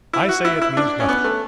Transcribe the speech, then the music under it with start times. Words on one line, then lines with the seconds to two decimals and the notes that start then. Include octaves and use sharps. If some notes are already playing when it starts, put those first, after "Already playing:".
'I say it means nothing.
0.13 E4
0.29 F#4
0.45 E4
0.62 E4
0.77 D4
1.00 C#4
1.09 B3
1.24 A3